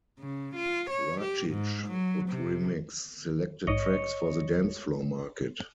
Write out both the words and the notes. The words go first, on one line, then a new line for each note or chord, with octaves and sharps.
Racic would remix selected tracks for the dance floor market.
C#3
F4
C#5
G4
G#2
F#3
C3
A#1 G#2 C#5 D#5